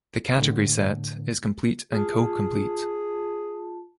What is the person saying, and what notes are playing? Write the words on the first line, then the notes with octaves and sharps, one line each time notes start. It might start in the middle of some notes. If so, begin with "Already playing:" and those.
The category Set is complete and co-complete.
A2 D3
F4 G#4 A5